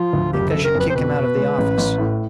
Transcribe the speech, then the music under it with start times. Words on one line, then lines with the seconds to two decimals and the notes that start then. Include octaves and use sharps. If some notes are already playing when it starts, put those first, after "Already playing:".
"I think I should kick him out of the office."
Already playing: F3 F4
0.13 D2
0.33 F#1 G4
0.50 F#1 A4
0.64 A#4
0.75 F2
0.80 B4
0.90 C5
0.95 B2 B4
1.17 B2
1.37 G#3
1.58 A1
1.78 A1
1.98 A2